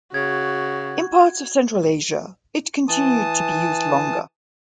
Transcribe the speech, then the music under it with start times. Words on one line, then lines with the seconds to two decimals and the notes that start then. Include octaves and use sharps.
In parts of Central Asia, it continued to be used longer.
0.14 C#3 F#4 G#6
2.88 E3 A5 D#6